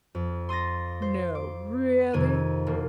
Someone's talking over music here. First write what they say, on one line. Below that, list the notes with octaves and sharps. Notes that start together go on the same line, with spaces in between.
'No, really?
F2
C6 D#6 A6 A#6
C5
D6
F2 C3 D#3 G#6 D#7
E1 A#3